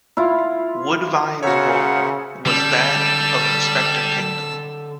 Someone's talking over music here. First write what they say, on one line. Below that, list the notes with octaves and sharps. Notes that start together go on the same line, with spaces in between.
Woodvine's role was that of Inspector Kingdom.
E4 F4
C#3 F#4 A#4 C5 C#5 E5 F#5
D3 G3 C#4 A5 E6